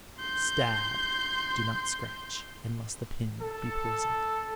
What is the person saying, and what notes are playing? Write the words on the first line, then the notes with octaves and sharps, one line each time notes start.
Stab, do not scratch, unless the pin be poisoned.
C6 G6
A4